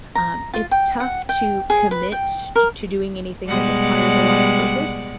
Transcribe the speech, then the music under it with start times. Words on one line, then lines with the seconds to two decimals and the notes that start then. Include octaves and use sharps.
um, it's tough to commit t t to doing anything that requires a lotta focus
0.15 A#5
0.54 F4
0.71 G5
1.00 F#5
1.29 G5
1.70 G#4
1.91 B4
2.12 G5
2.56 A#4
3.47 B2 G3 G#3 D5 F#5